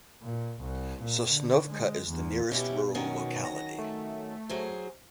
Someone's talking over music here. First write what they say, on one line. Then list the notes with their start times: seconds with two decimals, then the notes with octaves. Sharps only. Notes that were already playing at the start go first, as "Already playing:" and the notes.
Sosnovka is the nearest rural locality.
0.22 A#2
0.63 C2
1.01 A#2
1.31 D3
1.69 G#3
2.10 E2
2.52 B2 C#4 E4 G4
2.95 D#3 F#3 C#4
3.45 A#6
3.79 A3
4.49 F#3 G#4 C5